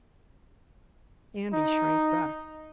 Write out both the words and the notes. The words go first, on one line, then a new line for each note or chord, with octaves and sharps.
Andy shrank back.
D#4